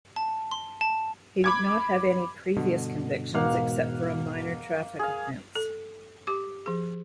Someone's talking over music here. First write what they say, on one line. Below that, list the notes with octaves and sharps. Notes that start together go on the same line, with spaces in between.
He did not have any previous convictions except for a minor traffic offence.
A5
C6
A5
B5 D6 G#6
G2 B2 D3
E1 G#2 B2 A#3 F5 F#5
G#4 F5
A4
G4 D6
F3 G#4